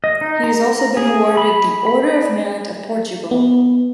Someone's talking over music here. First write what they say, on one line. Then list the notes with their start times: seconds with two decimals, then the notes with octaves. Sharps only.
He has also been awarded the Order of Merit of Portugal.
0.04 D#5
0.21 D#4
0.44 A#5
0.97 G#4
1.37 B5
1.87 B5
3.31 B3